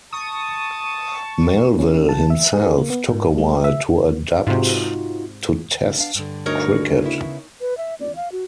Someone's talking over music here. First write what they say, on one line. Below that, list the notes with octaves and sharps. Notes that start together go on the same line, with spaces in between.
Melville himself took a while to adapt to Test cricket.
A5 C#6 D#6
C#4
A5
E5
G#4
A#3
B3
G#2
G#3
E5
G#2 C3 D#4 F4 F#4
B3 D4 F5
G2 D3
D2 D#4 A#4 C#5
C#3 B3 E4
B4
E5
D5
F5
F#4